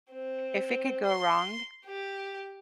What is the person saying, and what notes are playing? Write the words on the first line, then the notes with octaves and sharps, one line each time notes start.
if it could go wrong,
C4
C6
G4